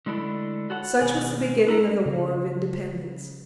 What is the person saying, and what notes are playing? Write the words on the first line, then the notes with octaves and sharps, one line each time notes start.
Such was the beginning of the war of independence.
D3 G#3 A3 D4 E4 A4
F#4 A4 C#5 F#5
B2 D#3 G#4 G#5
D4 E4 A#5
C#3